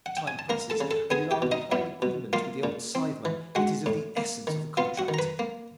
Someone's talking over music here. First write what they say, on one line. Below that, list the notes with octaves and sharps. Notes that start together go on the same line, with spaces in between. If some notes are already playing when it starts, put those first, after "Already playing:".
Time presses, and in our implied agreement with the old scytheman it is of the essence of the contract.
F#5
G5
G#5
A5
A#3 A#4 A#5
A4 A5
C#3
A4 A5
B3 G#4 G#5
G4 G5
B2
D#4 D#5
B3 E4 E5
B2
A#3 F4 F5
A#2
C4
E3
G#3 F#4 F#5
A2
A#3
D#3
B3 F4 F5
F#4 F#5
D#3
A#5
B4 B5
A#3